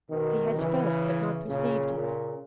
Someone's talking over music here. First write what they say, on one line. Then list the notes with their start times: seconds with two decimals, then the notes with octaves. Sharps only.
He has felt but not perceived it.
0.10 B2 D#3
0.56 C#3 E3
1.47 A#2 C#3
1.93 A#2 C#3